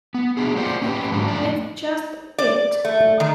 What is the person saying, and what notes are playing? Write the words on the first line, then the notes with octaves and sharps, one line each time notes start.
It's just 'It'.
B3
B3 D4 G#4
A#3 F4 G4 C5 D5 F#5
C#4 G4 B4
G#2 D3 F#3
F2 A2 D4 D5
D5
A3
D#3